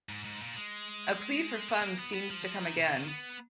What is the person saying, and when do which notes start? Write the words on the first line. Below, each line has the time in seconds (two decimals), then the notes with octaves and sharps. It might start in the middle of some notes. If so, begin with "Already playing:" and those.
A plea for funds seems to come again.
0.09 G#2
0.25 G#2
0.41 A#2
0.56 G#3
1.69 B3
1.82 A#3
1.98 B3
2.14 B3
2.30 F3
2.45 F3
2.61 D#3
2.76 B2
2.92 D#3
3.07 B3